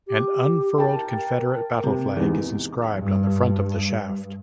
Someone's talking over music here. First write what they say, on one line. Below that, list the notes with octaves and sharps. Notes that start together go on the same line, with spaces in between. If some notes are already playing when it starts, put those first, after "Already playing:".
An unfurled Confederate battle flag is inscribed on the front of the shaft.
G4
A#4 G5 A5
C3
E2 G#2 D#4
G2